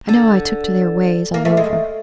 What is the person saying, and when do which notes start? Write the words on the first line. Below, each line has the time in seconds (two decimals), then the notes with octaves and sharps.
I know I took to their ways all over.'
0.09 D3
1.34 A#3
1.45 A3
1.57 G#3